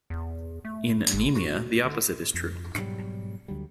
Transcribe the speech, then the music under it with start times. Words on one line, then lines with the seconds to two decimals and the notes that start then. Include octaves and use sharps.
In anemia, the opposite is true.
0.10 E2
0.65 A3
1.14 G1
1.35 F#4
1.85 D3
2.34 F2
2.75 G#2 B2 F#3 G3
3.48 D2 D3 F#3 G3